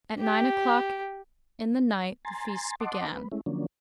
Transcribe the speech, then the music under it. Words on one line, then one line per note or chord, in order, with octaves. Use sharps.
At nine o'clock in the night the feast began.
G4
G#5 A#5 C6 A6
D#5 F#5 A5 C6 D6
B4
G#3 A3 C#4 E4
D3 F3 F#3 A#3 C#4 D4